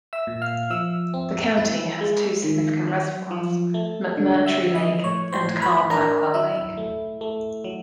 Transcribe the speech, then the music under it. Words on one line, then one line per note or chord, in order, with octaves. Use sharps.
The county has two significant reservoirs: McMurtry Lake and Carl Blackwell Lake.
E5 E6
A#2
F5 F6
F3 E5 E6
C4
E4
G#3
D#3
F#3
F3
A3
D3
E5 E6
F3
D#5 D#6
A2 C#5 C#6
C5 C6
A2
B4 B5
D4 A#4 A#5
F#3 E4 E5
A3
A3
F#3